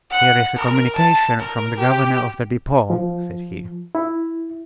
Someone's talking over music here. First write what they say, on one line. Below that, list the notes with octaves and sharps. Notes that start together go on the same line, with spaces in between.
"Here is a communication from the governor of the Depot," said he.
F#5
A#4
A5
A#4
G4
F3
E4